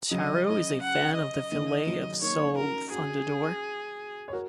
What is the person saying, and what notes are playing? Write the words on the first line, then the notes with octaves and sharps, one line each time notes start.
Charo is a fan of the filet of sole fundador.
C#3 F#3 D#5
D#5
F#5
D#5
D#3
C#3 F#3
A#3 D#4 C#5
C#4 F#4 A#4
C#4 F#4 G#4
C#5
F#4 A#4